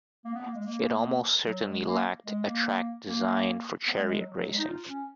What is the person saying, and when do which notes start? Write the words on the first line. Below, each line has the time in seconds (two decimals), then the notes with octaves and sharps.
It almost certainly lacked a track designed for chariot racing.
0.25 A#3
0.34 B3
0.45 A#3
0.55 G#3
0.65 A#3
1.46 F#3
1.66 G#3
1.86 A#3
2.26 G#3
2.46 A#3
3.07 A#3
3.88 B3
3.97 G#3
4.08 G#3
4.18 F#3
4.38 F#3
4.48 G#3
4.58 D#4
4.68 F4
4.89 C#4